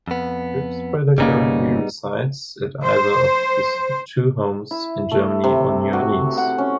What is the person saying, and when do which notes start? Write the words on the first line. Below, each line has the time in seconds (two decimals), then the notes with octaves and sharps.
Ribspreader currently resides at either of his two homes, in Germany and New Orleans.
0.08 F2 B3
1.18 G1 C#3 G3 A#3 B3 D#4
2.84 C5
4.71 E4
5.12 A3
5.44 C3
5.93 F#4
6.37 F#5
6.58 C#4